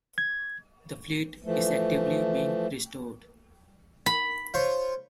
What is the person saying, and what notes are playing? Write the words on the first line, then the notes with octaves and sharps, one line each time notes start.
The fleet is actively being restored.
G#6
E3 F3 A3
B5
F4 C5 C#5